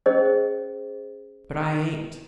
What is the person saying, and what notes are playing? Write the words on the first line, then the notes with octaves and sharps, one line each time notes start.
"But I ain't."
C#4 G#4 C5 D#5